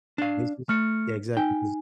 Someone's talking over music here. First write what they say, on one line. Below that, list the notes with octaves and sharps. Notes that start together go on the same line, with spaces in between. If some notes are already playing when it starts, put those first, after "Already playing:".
this is Yeah, exactly, 'cause
D4 F5
A3 F6 C#7
D#4 G5 G#5